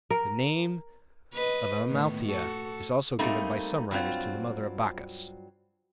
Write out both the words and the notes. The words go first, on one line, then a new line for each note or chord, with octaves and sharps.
The name of Amalthea is also given by some writers to the mother of Bacchus.
A#4
B4 D#5
A2 D#3 B3
F#4 A4
G3 A3 A#3 C4 D#4
G2 F#3 C4 F4